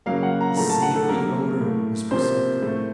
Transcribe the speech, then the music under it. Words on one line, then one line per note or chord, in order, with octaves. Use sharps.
The savoury odour was perceptible.
C#3 F#3 A#3 F5
F#5
A#5
A2 F3 A3 A#5
A5
F#5
A4
C3 F#3 A#3 A#4
A2 A3
C3 F3 A#3 C5
A2 A3